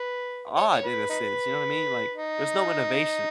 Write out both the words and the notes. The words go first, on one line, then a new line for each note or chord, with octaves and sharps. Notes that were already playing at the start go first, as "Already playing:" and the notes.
odd in a sense. You know what I mean? Like, there's no innovation.
Already playing: B4
C#5
C#5
B4
D#4 B4
D#4